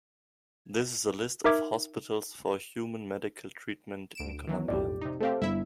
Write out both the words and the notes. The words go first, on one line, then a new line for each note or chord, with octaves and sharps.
This is a list of hospitals for human medical treatment in Colombia.
D#4 A#4 E5 D6 G#6
D2 D7 E7
D#3 E3 F#3 B3
B1 F2 A2 G4 D5
C3 D#4
A3 C4 G4 A4 C5 F5
G1 E4 E5